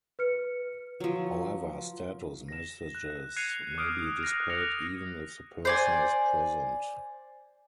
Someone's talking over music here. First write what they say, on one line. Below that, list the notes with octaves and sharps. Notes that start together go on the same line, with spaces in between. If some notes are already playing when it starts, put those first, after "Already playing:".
However, status messages may be displayed even if the person is present.
B4 F6 C#7
F3 F#3
A#6 E7
F#6
F#6 G#6 C7 C#7 D#7 F7
D6 D#6 F6 G#6 C#7 D7
F#6 A#6
D#6 F6 A#6 C#7 F7
C5 D5 G#5